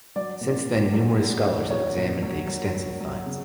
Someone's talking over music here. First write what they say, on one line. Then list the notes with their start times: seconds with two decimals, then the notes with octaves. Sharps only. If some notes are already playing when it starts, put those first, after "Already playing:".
Since then numerous scholars have examined the extensive finds.
0.16 F#3 D5
0.41 A#2
0.67 A#2
0.93 F#3
1.20 A#2
1.45 A#2
1.70 F#3 C#5
1.96 A#2
2.22 F#3
2.48 F#3
2.74 F#3
3.00 F#3
3.26 C#3